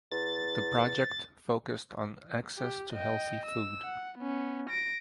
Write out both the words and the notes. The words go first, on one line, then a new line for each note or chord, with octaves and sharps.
The project focused on access to healthy food.
E2 A6
G4
D#5 G5
E6
F#5
B3 C#4
A#6 D7